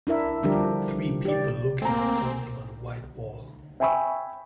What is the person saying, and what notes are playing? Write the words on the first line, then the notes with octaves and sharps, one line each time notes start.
Three people looking at something on a white wall.
D4 E4 A#4 E5
D3 F3 G3 D4 G4 A#4
G4 D5
A3 A#3 C4 G#5 A#5
E5 G5 G#5 B5 C#6 E6